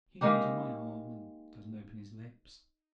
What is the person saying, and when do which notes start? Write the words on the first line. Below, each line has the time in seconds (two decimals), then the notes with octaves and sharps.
He leans on my arm, and doesn't open his lips.
0.21 G#3 A#3 D#4 G4